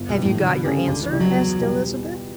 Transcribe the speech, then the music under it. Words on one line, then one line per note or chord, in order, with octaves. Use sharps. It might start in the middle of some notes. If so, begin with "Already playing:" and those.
"Have you got your answer?" asked Elizabeth.
Already playing: G1
B2
G2 E3 G3
A2
B2 D3
C#3 A3 C#4 G4
C#2 D3
E3
C#3 G3 D4
F#3
E2
B2 G3